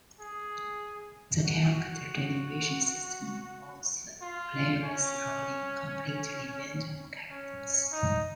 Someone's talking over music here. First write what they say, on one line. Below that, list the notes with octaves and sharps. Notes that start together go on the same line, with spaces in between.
The character generation system involves players rolling completely random characters.
G#4
F#4
F#4
F4
C#4
C#4
D#4